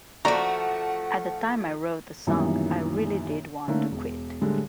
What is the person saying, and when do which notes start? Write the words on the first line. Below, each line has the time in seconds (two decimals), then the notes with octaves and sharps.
At the time I wrote the song, I really did want to quit.
0.25 F3 A3 F#4 D5 F#5 A#5
2.27 B1 F#2 A#2 D#3 E3 G3
3.68 D3 A3 A#3 C#4 D#4
3.92 E1
4.41 A2 D3 G3 G#3